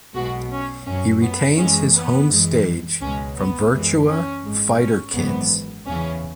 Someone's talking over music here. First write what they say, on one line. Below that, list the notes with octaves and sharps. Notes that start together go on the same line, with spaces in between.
He retains his home stage from "Virtua Fighter Kids".
B1 B2 G#3 F#4
C#4
F#2 F#3 C#4
B3
F#2 E3 G#3 C#4
B3
F#2 E3 G#3
C#2 B2 G#3 C#4
B3
F#2 E3 G#3
C#4
G#1 G#2 G#3
C#4
G#1 F#2 E3 B3
E2 C#3 E3 C#4